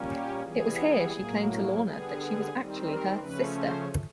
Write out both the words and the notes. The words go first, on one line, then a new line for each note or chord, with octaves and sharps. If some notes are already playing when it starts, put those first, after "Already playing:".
It was here she claimed to Lorna that she was actually her "sister".
Already playing: A#2 G3 A#3 C#4
G4
E3 G3 B3 G#4
A2 F#3 A#3
D3 G3 B3 G#4
D#3 G3 C4
A#4
C#3 F3 A3 C#4 B4
C5